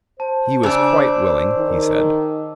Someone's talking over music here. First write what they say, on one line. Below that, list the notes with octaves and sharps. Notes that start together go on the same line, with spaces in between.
He was quite willing, he said.
C5 A5
C#3 D4 D6 E6
D#3